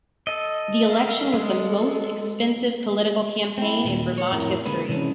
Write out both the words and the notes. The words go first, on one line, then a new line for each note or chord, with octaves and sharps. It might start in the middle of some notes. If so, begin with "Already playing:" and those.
The election was the most expensive political campaign in Vermont history.
A4 D#5
A#4 E5 F5
G#3 A4
C4 E4
D#2 A#2
C#5
F2 A2 C4 E4 A#4
D3 G#3 A#3 B4
C3 E3 G#3 C#4 D4